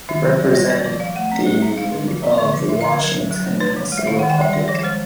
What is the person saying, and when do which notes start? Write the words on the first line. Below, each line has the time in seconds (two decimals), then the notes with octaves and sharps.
He represented the of Washington as a Republican.
0.09 D#3 E5
0.23 F#3
0.38 G3 D5
0.55 G3 C#5
0.69 A#3 D5
0.84 F3 D5
1.00 F3 F5
1.16 A3 F#5
1.32 C4
1.46 G3
1.62 C4
1.77 C4 F5
1.92 D3
2.08 F3
2.23 C4
2.38 D3
2.53 F3
2.69 D4 E5
2.81 D3 D#5
2.93 A#4
2.99 F#3
3.04 A#4
3.15 F#3
3.31 F#3
3.46 A3
3.60 D4 B4
3.76 E3
3.92 G#3
3.98 E5
4.07 D#3 F5
4.19 D#3 F#5
4.30 G5
4.38 G3 E5
4.53 D4 D5
4.68 F3 C#5
4.83 G#3 C5